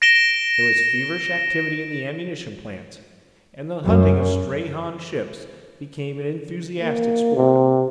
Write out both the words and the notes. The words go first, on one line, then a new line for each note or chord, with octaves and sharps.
There was feverish activity in the ammunition plants, and the hunting of stray Han ships became an enthusiastic sport.
A#6 D7 E7 G7
F#2
A#3
C3